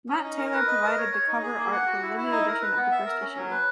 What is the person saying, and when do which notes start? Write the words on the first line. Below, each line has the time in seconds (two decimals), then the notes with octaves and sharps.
Matt Taylor provided the cover art for the limited edition of the first issue.
0.09 C#4
0.23 D#4
0.38 A#4
0.53 B4
0.68 D#5
0.83 A#4
0.98 C#5
1.13 C#5
1.27 D#4
1.42 G#4
1.57 A#3
1.72 F#5
1.87 F#4
2.02 E4
2.17 E4
2.32 D#4
2.47 A#4
2.61 B4
2.77 B3
2.91 E5
3.06 A#4
3.21 C#4
3.36 F#3
3.51 B4